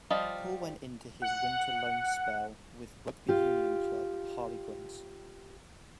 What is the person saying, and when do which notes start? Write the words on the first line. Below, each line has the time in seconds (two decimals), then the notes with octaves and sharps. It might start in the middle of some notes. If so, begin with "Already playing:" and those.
Paul went into his winter loan spell with rugby union club Harlequins.
0.10 F3 G3 F4 D#5 F5
1.22 F#5
3.29 F4 G4